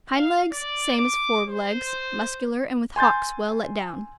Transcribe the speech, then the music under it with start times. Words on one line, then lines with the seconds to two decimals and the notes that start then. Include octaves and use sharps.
HIND-LEGS--Same as fore-legs, muscular and with hocks well let down.
0.15 F5
0.51 D5
0.94 D6
1.47 C5
2.96 G#5 C6 G6 A6